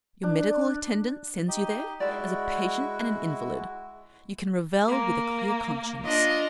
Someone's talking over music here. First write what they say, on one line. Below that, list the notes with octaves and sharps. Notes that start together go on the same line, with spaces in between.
Your medical attendant sends you there; as a patient and an invalid, you can revel with a clear conscience.
D4
D#4 G4 D#5
G#3 E4 F#4 D5 E5
A#3
D4 F4 D#5